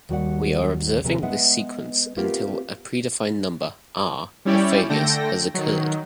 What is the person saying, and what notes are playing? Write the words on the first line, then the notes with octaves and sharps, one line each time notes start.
We are observing this sequence until a predefined number "r" of failures has occurred.
D#2 G3 F#4 G#4 D5 F#5
D#2 C3 F3 G#3 A#4 G#5
G#3 B3 B4 E5 F#5
A3 B3 C4 F4 G4 A#4
G3 C#4 E4 C#5 D5 G5
D3 A3 A4 G5 A#6
D#3 F#3